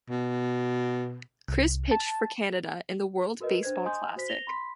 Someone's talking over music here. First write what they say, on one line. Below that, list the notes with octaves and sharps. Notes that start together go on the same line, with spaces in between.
Chris pitched for Canada in the World Baseball Classic.
B2
C2
A5
F#4 A#4 B4 D#5
D4 C5 G#6
D#5 G#5 C6 D#6 G6
F#4 C5 B6
A#6 F7 G7
B5 C6 B6